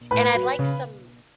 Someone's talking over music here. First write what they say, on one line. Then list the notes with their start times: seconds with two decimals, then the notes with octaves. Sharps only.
and I'd like some
0.11 A2 B4
0.35 F#3
0.59 C#3